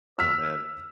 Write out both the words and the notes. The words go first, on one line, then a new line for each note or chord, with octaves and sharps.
Aw, man.
E6 F6 B6 F7